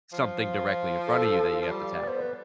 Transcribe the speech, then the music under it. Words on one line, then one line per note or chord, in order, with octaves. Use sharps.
something directly in front of you that you have to tackle.
F3
A4
F3
G3
D5
B3
C5
B4